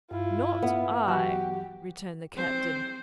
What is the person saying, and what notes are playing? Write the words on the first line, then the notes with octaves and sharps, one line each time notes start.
"Not I," returned the captain.
G2 E4 F4
B3 E5
E3 F#3 F#4 G4
C4 C5